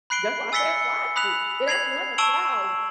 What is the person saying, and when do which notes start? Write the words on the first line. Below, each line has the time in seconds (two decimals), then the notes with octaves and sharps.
That's why I said watch it, it ain't nothing to cry over.
0.10 B5 F#6 C7 D7 G7
0.52 G#5 E6 A6 B6 C#7 G7
1.16 B5 D#6 F#6 B6 F7
1.68 G#6 C7 F7 F#7
2.18 A5 C#6 E6 D7 E7 F#7